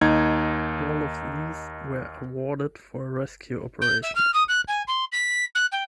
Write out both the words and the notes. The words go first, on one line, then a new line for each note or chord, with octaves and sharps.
All of these were awarded for rescue operations.
D#2 D#4 G#6
G6
E5
F6
D#6
F#6
G#5
C6
B6
F#6
G5